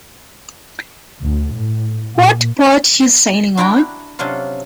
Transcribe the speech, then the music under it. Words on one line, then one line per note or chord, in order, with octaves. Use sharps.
What boat you sailing on?
D2
A2
A#2
D4 E4 F#4 G5 A#5
C3 F#3 C#4 D4 F4